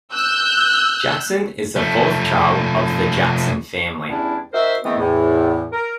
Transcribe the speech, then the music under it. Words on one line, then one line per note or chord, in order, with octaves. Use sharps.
Jackson is the fourth child of the Jackson family.
E6 F#6 G6
F3 A3
E2 G3 B3 C#4 D4 E4
C4 D#4 F#4 A#4 C5 E5
D#3 E3 G#3 A3 B3 C4
E2 A2
A#4